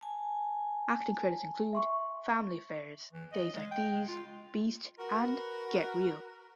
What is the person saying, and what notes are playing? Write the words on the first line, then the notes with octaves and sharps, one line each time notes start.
Acting credits include "Family Affairs", "Days Like These", "Beast", and "Get Real".
G#5 A5
E5 C6 C#6
E3
D#5
G#3
G5
G#3
F4
F#4 A#4 B4